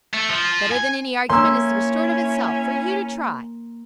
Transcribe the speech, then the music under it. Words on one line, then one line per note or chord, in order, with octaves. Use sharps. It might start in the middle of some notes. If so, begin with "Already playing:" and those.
Better than any argument is the Restorative itself--for you to try.
A3
F3
G#5
A#3 C#4 E4 C#5 C6 E6